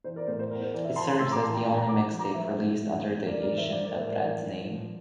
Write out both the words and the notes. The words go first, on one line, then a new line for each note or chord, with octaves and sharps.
It serves as the only mixtape released under the Asian Da Brat name.
E3 C5
A#4 D5
A2 C5
C5
E2 A#4
C5
E3 A#4 D5
C5 E5
E3 A5 C6
A5 C6
A2 C6 E6
A#5 D6
E3 A5 C6
G5 A#5
G2 F5 A5
G5 A#5
G2 A#5 D6
F3
A#5 D6
F3 C5 E5
A2
E3
E2
F2 A#4 D5
A#4 D5
E3
C5 E5
F3 A#4 D5
A#4 D5
A2 C5 E5
A#4 D5
E3
F2
F3